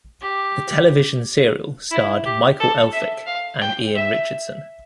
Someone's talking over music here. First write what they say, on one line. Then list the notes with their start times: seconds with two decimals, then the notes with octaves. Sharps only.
The television serial starred Michael Elphick and Ian Richardson.
0.21 G4
1.91 E4
2.25 G4
2.60 A4
2.93 E5
3.26 F5
3.61 G5
3.95 E5